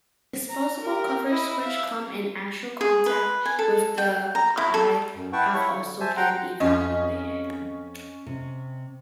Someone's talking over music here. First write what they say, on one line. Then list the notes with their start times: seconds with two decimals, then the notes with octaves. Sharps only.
Disposable covers, which come in actual contact with the eye, have also been evaluated.
0.49 A#5
0.81 G4 A#4
1.26 E4 D#5
1.60 E5 F5
2.81 G#4
3.06 B4
3.46 G#5
3.59 A4
3.98 G5
4.35 A#5
4.57 E4
4.74 A4
5.15 F#2
5.33 E4 B4 F#5 G5 A5 C#6
5.54 E4 C#5 E5 C#6
5.76 D3
6.00 C5 E5 G#5 A5
6.17 F#5 G5 A#5 C6
6.60 F2 C#4 D#5
8.26 C3